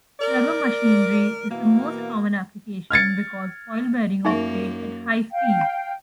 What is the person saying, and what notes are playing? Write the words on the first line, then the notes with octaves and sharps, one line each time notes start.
Turbomachinery is the most common application because foil bearings operate at high speed.
A#4 D5
B2 E3 A#3
F6 G#6 A6 C#7
F#2 A#3 D#4 G#4 E5
F5 G5